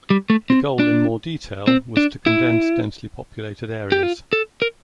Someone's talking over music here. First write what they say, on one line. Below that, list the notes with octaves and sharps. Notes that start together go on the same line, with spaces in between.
The goal in more detail was to condense densely populated areas.
G3
A3
C4
D4
C4
D4
E4
G4
F4
A4
A#4